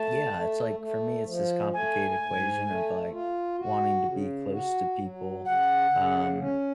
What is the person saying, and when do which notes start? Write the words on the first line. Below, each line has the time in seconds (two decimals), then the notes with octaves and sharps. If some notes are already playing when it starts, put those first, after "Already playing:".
Yeah, it's like, for me, it's this complicated equation of, like, wanting to be close to people, um,
Already playing: A3 A5
0.33 A3
0.80 A3
1.26 F3
1.72 A3 G#5
2.20 G#2
2.66 A3
3.12 F4
3.59 F#4
4.05 C#3
4.51 F#4
4.98 F#3
5.45 C#3 F#5
5.91 C#3
6.38 C#4